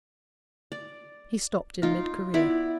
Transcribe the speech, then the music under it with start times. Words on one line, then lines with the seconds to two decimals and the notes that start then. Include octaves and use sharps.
He stopped in mid career.
0.72 D5
1.82 D#4 F4 A#4
2.34 B3 E4 D5